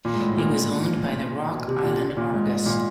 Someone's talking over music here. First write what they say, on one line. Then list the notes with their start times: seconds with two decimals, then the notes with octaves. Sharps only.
It was owned by the Rock Island Argus.
0.05 A#2
0.14 G#2
0.21 A2
0.37 A#2
1.51 B2
1.68 C3
1.84 A#2
2.17 A#2
2.33 G#2
2.66 A#2